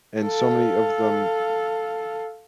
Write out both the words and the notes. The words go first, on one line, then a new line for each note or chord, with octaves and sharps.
and so many of them
A4 F5